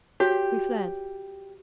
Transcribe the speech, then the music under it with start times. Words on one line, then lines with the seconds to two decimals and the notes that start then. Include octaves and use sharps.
We fled.
0.20 F#4 G4 C#5